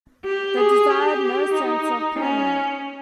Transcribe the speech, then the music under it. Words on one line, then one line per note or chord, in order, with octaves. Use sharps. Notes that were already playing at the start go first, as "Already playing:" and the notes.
They desired no sense of permanence.
G4
G#4
G4
D#4
C#4